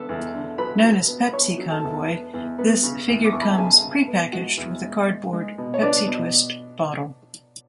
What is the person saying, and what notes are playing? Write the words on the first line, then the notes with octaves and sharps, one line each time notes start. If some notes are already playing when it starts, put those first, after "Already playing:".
Known as "Pepsi Convoy", this figure comes pre-packaged with a cardboard Pepsi Twist bottle.
Already playing: D3 B3 A4 A5
E2
D3
F#3 B4 B5
F#3
B3
B5
B3 C#5 C#6
F#3
A4 A5
E2
B3
E2
B3
C#3
E2
D6
E2 C#6
B5
A5
C#3 G#4 G#5
C#3
B3
G#3 F#4 F#5
E2
G#3
G#3
G#3
B2
C#5
B3 D4 D5
B2